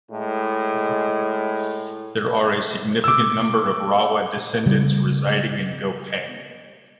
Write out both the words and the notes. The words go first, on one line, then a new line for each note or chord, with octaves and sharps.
There are a significant number of Rawa descendants reside in Gopeng.
A2 G#3
D6 E6
C#3 G3